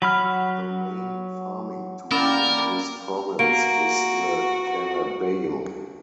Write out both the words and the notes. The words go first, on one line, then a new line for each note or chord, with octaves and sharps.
The main farming tool in this province is the carabao.
F#3 F#5 B5 F6
A#3 C#4 A#4 D5 G5 B5 D6
A#3 F#4 D7